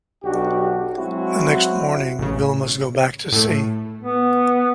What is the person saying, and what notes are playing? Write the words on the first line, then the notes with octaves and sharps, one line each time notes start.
The next morning Bill must go back to sea.
B1 D4 F#4 G4
F#3 G#3 C4 E4 F#4
A1 C#3
A2 A3
B3